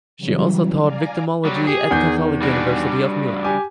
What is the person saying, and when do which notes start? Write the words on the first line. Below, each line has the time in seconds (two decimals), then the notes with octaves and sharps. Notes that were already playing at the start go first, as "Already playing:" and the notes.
She also taught victimology at Catholic University of Milan.
0.18 C#3 E3 F#3 G3
0.83 D5 F5 G#5 A#5
1.45 F#3 G3
1.67 G4 G#4
1.91 E2 D#3 G6
2.42 G3 D4 F#4
3.44 G4 G#5 D6